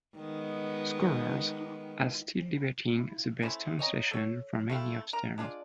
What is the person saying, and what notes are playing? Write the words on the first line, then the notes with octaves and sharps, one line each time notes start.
Scholars are still debating the best translation for many of the terms.
D#3 G#3 B3
A3 C#4 E4 C5
C#5 D#5 G#5 A#5
A4 C#5
A3 C4 E4 F5
A#4 A#5
G#3 D4 F4 D5